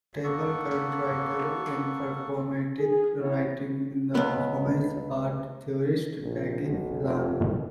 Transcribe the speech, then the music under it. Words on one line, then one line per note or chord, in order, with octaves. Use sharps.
A notable current writer in performative writing is the performance art theorist Peggy Phelan.
A#3 B3 A4 C#6
G#4
C#3 E3 B3 C#5
C#2 B3
A#1
B1
F1